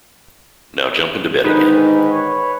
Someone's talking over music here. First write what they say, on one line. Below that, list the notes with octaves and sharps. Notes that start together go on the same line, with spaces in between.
Now jump into bed again.
G#2 D3 D#3 D#4 B4
C#5